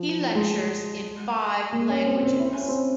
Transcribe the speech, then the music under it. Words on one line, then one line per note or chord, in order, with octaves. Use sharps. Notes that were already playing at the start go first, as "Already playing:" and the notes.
He lectures in five languages.
Already playing: F3
G#3
A#3
C#4
C4
C4
E4
C#4
C4